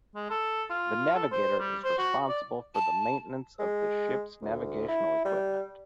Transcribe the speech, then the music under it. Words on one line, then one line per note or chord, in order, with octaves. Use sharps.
The navigator is responsible for the maintenance of the ship's navigational equipment.
G#3
A4
F4
A4
C5
G3
C5
F#4
D5
A5
G#3
D2
E4
G3